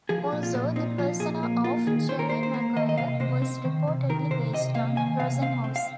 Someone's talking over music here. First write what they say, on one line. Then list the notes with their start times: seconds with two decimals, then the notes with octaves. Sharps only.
Also, the persona of Jerry Maguire was reportedly based on Rosenhaus.
0.09 F3 G#4
0.32 A#2
0.43 F4
0.55 A#2
0.76 C4 D#4
0.98 F3 F4
1.20 A#2 G#4
1.43 A#3
1.64 A#3 F4
1.87 D#3 G#4
2.09 D#3 C5
2.19 A#4
2.30 A#3 C5
2.43 C5
2.54 A#3
2.76 D#3 D#5
2.89 D#5
2.98 C3 F5
3.20 C3 C5
3.42 C4
3.65 D#3
3.87 C3
4.09 D#3 A#4
4.31 C3 C5
4.53 C3 D#5
4.75 A#3 F5
4.97 D#3 G#5
5.20 C3 F5
5.42 C4 F5
5.64 C4
5.76 F5